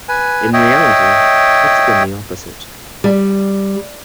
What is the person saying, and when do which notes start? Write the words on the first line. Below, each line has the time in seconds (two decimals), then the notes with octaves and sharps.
In reality, it's been the opposite.
0.09 B4 G#5
0.53 C#5 D#5 E5 G5
3.04 G3